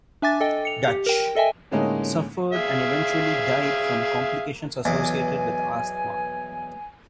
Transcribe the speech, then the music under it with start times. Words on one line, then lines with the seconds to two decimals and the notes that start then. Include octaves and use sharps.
"Dutch" suffered and eventually died from complications associated with asthma.
0.22 D4 E5 G#5 D6 A6
0.41 A4 D#5 G5
0.65 C#7 F7
0.88 G4
1.06 A#4 G5
1.35 A4 D#5 E5 G5 G#5
1.71 A2 D3 G#3 A#3 C#4 D#4
2.53 G#4 E5 F5
4.85 B1 E2 G#5